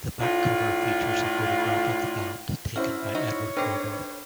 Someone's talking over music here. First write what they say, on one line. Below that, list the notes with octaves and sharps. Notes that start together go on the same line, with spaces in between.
The back cover features a photograph of the band taken by Edward Colver.
A2 A3 D4 F4
D3 C#4 E4 F#4 C5 F6
D#4 F#4 C#5
D#3 C4 D4 A4 B4